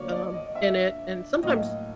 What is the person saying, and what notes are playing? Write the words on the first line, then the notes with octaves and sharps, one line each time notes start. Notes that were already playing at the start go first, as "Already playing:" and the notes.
um, in it. And sometimes
Already playing: D3 F#3 A#3 C#5 D5
D5
D#5
E5
A2 F#3 A#3 D#5